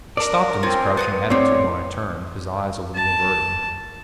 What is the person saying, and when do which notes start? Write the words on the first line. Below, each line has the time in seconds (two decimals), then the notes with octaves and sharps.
He stopped in this crouching attitude when I turned, his eyes a little averted.
0.17 D4 A#4 D5
0.63 C4 C#4 F4 C5
0.97 B3 C#6 D#6
1.30 A2 C4 C#5 D5
2.95 A5